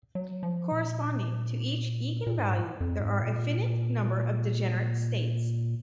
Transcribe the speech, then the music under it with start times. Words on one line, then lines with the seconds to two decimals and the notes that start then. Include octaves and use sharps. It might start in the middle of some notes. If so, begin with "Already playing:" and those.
Corresponding to each eigenvalue there are a finite number of degenerate states.
0.15 F#3
0.43 F3
0.72 A#2
2.26 A#2
2.39 G#2
2.80 F2
3.00 G#2
3.22 A#2